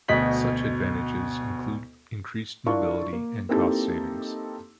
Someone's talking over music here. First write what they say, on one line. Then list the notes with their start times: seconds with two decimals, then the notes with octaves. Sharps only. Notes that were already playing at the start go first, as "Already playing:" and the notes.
Such advantages include increased mobility and cost savings.
0.08 D2 B2 D#5 B6 F#7
2.66 D4 E4 F4 A#4 D5 C#6
3.13 A#3
3.49 A#3 C4 D#4 E4 G4 A4